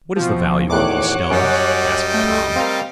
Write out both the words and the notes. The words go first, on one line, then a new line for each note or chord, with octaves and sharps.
"What is the value of these stones?" asked Tom.
B2 F3 C4 F#4
E2 A2 D#3 F#4 C#5 F#5 D6 F#6
F#2 G3 C#4 D#5
A3 G5
C4 A#4 F5